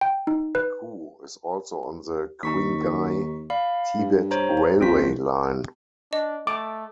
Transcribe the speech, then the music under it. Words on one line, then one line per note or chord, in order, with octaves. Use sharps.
Nagqu is also on the Qinghai-Tibet railway line.
G5
D#4
B4
D#2 D#4 C#6 B6
D5 F5 B5
G2
C5 C#5 A#5
A#1 C4 F4 B6
D4 D#5
A3 D6